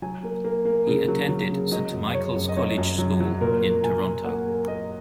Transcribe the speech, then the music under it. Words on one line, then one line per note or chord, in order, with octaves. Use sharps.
He attended Saint Michael's College School in Toronto.
F#3 G#5
A#3
A#3
A#3
C#3
F#3
F#3
C#3
F#3 D#5
F#2
F#3 C#5
F#2
D#5
F#2 C#5
F#2
F#3
F#3
A#2 A#4
A#3
A#2 G#5
A#2
A#3 F#5
A#3
A#3 D#5